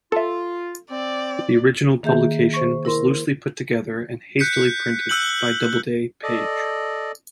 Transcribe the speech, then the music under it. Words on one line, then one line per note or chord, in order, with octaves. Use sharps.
The original publication was loosely put together and hastily printed by Doubleday, Page.
F4 A4 E5
C4 D5
D#3 A#3 G#4 E5 G6
C5 C#6
E4 A#4 C6
F#6 G6 B6 C#7
E6 F#6 G6 F#7
A4 D5 D#5